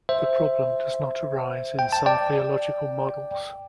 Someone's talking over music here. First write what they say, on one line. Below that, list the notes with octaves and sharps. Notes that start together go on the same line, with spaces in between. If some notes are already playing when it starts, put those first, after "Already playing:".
The problem does not arise in some theological models.
C5 E5
G5
A5
D5 G5